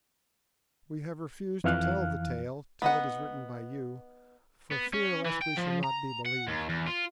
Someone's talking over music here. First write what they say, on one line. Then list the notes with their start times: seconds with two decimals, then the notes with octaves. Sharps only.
We have refused to tell the tale till it is written by you, for fear lest we shall not be believed.
1.64 F2 E3 F5 F6 F#6
2.82 B3 D#4 F#5
4.72 B3
4.94 C#4
5.26 E3
5.42 G5
5.57 F3
5.84 A#5
6.25 F#5
6.48 D#2
6.69 E2
6.87 F4